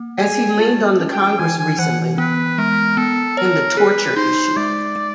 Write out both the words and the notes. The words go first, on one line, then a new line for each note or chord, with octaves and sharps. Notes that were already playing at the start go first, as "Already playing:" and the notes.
As he leaned on the Congress recently-- in the-- torture issue.
Already playing: A#3
G#4 G#5
F4 A5
C#4
G5
E3 G#5
G#5
E3 F#5
B3 B4
G#3 A#4
B3 A4
A#4 C#5
G#4 B4
D#4 C5
G#3 D5
G#3